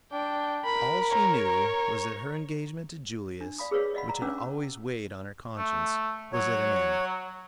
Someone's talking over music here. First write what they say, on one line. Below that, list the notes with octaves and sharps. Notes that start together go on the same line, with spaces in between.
All she knew was that her engagement to Julius, which had always weighed on her conscience, was at an end.
D4 G5
A#4 B5
C#5 A#5
D4
D5 F5 B5 D#6
G#4 A#4 B4 C#5 D5 F5
D5 D#5 F5 F#5 B5
A#5
C#4 D4 B4 F#5 D6 E6
A3
F#3 C#5